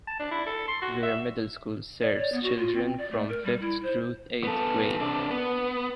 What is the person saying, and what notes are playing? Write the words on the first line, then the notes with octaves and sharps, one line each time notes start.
Weare Middle School serves children from fifth through eighth grade.
A5
D4
E4
A4
C6
F#4
E5
D5
C#5
B3
F#4
F4
C4
D5
A3
A#4
G3
E4
C5
B3 A4
C3 D4
B3